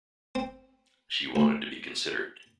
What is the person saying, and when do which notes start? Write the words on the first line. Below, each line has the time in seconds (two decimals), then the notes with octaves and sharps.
She wanted to be considered.
0.35 C4
1.36 D2